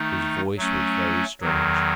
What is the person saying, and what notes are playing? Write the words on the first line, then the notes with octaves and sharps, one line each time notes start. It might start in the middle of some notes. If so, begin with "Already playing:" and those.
His voice was very strange.
Already playing: D#3 A3 D#4
F#3 A3 C#4
E2 D#3 F#3